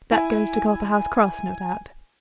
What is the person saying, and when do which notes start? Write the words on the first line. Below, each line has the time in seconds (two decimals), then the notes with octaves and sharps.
That goes to Copperhouse Cross, no doubt.
0.12 E4 G#5